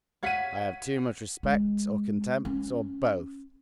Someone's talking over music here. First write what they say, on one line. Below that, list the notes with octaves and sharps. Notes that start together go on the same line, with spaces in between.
I have too much respect or contempt, or both ...
C#5 F5 F#5 G#6 B6 D#7
G#3
C#4